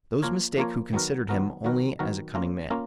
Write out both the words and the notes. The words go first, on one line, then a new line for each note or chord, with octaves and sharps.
Those mistake who considered him only as a cunning man.
F3 A#3 F4 A#4 C#5
F3 A#3 F4 A#4 C#5
D#3 F#3 B3 F#4 A#4
D#3 F#3 B3 F#4 A#4
D#3 F#3 B3 F#4 A#4
D#3 F#3 B3 F#4 A#4
A#3 C#4 F4 A#4
A#3 C#4 F4 A#4